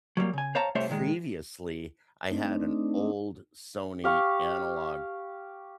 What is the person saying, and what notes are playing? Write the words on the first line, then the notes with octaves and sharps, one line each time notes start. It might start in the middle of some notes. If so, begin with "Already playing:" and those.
previously, I had an old Sony analog
F#3 G3 A3 A#3
C#3 G#5
C5 C#5 F5 A5 A#5
C2 A3 G4 C5 C#5 E5
A#2 D#3 G#3
A3 C4 D4 D#4
G4 F5 C#6